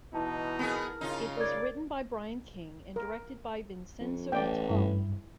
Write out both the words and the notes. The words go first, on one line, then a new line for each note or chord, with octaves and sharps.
It was written by Brian King and directed by Vincenzo Natali.
B2 E3 D#4 E4 A5
B3 G#4 A#4
C#3 D#4 F4
A#4 D5 G#6
A#4
F2
A1 D5 G5
G2 E4